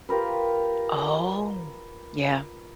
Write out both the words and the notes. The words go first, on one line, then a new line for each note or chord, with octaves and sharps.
Oh yeah,
F4 G4 A#4 B4